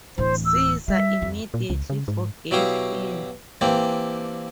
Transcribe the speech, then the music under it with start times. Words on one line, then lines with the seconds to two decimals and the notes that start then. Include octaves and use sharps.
Caesar immediately forgave him.
0.18 D1 E3 C5
0.45 E6
0.88 G3 E5
1.22 F2
1.54 A#2
1.70 C#2
1.90 C#3
2.08 G#2
2.51 B2 F#3 E4 G4 F5 D#6
3.61 E3 A#3 C4 D4 G4